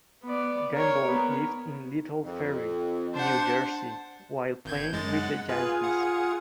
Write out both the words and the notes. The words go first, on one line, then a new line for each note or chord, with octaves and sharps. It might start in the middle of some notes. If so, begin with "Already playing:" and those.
Gamble lived in Little Ferry, New Jersey while playing with the Yankees.
B3 D5
A#4 C#5
B3 A#4
F2
D4 C5 F#5
G#1 G6 G#6
F#2 G#3 A6
F#5
F4 G#4 B4
F#5